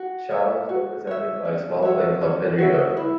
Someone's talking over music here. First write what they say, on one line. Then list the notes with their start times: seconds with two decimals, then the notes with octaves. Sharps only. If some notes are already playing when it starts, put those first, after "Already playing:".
Chile was represented by a small plane called Pedrito.
Already playing: F#4
0.31 C#5 E5
0.69 F#4
1.07 C#5 E5
1.45 C#4
1.82 F#4 C#5 E5
2.21 C#4
2.58 F#4 C#5 E5
2.97 E4